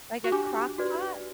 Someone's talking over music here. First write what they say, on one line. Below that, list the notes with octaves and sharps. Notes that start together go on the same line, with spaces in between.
Like a crock pot?
F#4
D4 G4
F#4 B4 D5